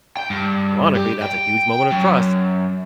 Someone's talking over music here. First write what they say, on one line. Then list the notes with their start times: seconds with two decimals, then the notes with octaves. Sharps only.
ironically, that's a huge moment of trust.
0.17 G5
0.30 G2
0.95 G4
1.22 G5
1.92 F#2